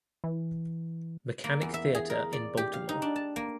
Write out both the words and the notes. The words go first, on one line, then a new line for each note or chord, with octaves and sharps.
Mechanic Theatre in Baltimore.
E3
A#3
E2
E5
G#4
A#4
D5
G4
F5
D#4
D4
A5
A#3